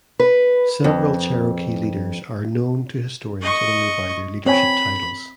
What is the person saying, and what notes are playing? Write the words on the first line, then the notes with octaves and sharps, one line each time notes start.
Several Cherokee leaders are known to historians only by their leadership titles.
B4
F2
D#5 C#6
C4 C#5 G#5 B5